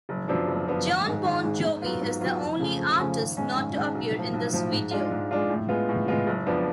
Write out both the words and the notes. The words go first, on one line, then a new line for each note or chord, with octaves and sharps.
Jon Bon Jovi is the only artist not to appear in this video.
F#1
F#2 F3 B3 D4
F#1
F#2 F3 B3 D4
G#1
G#2 G#3
G#1
G#2 G#3
G#2
F#3 B3 F4
G#2
F#3 B3 F4
F2
C#3 F3 A3 C#4
F2
C#3 F3 A3 C#4
G#1
G#2 G#3 C#4
G#1
G#2 G#3 C#4
B1
A2 F3
B1
A2 F3
G#2
G#3 D4 F4
G#2
G#3 D4 F4
A2
G#3 B3 F4
A2
G#3 B3 F4
F#1
F2 F3 B3 D4